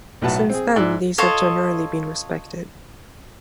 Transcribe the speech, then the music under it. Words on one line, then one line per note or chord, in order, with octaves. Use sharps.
Since then, these have generally been respected.
B1 A2 F#3 B4 F#5 A5
C4 G#4
G#2 E4 D5 E6 F#6
F4 A4 C#5 D#5